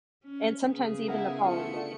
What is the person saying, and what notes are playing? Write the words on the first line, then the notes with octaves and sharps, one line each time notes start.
and sometimes even the following day.
C#4
C#3 B3 G#4
E4 A#4 F#5
A3 F4 C#7